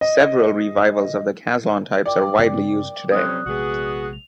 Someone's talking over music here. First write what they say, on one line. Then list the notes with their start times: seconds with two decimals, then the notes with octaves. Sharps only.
Several revivals of the Caslon types are widely used today.
0.01 D#5
2.06 A#4 D5 G5 D6
2.39 G2 C#3 C4
3.12 F2 C3 F#3 C4 C#4 D#6 F#6
3.46 A#1 C3 G#3 B3 F#4 G#4
4.13 F7